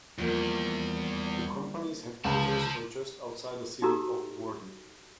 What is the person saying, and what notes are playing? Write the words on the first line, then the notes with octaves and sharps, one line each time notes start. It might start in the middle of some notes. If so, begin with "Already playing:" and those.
The company's headquarters were just outside the city of Woerden.
E2 F3 G3 A#3
C#2 D3 C5 A5
D#4 F#4 G4 A4 A#5 E6